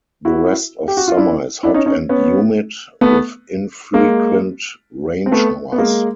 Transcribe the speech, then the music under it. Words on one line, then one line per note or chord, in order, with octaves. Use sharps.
The rest of summer is hot and humid, with infrequent rain showers.
E4 F#4
G4
F#4
F4
D4 E4
D4 E4
C#4 D#4
C#4 D#4
B3 C#4
A3 B3
G#3 A#3
C4
A3 B3
B3
G#3 A#3